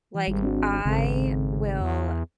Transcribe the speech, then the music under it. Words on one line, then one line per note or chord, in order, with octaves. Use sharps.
Like, I will
E3
G#1 G3
C4 D4 F#4
G#1 C#3 C4 A4
E2